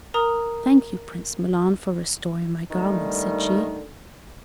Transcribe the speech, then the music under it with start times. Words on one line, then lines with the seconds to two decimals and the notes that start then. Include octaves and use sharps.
"Thank you, Prince Milan, for restoring my garment," said she.
0.14 A#4 A#5 D#6
2.71 D#2 D3 D#3 G3 A3